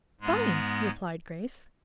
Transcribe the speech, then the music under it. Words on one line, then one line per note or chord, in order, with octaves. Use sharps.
"Fine," replied Grace.
G#2 G#3 B3